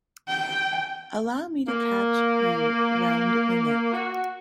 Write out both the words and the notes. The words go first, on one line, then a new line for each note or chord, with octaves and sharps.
Allow me to catch you round the neck.
G5
A#3
F#4